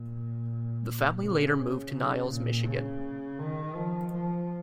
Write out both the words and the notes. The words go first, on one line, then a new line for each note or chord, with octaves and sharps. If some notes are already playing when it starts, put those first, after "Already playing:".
The family later moved to Niles, Michigan.
Already playing: A#2
C#3
C#3
A#2
C#3
D#3
F3
F3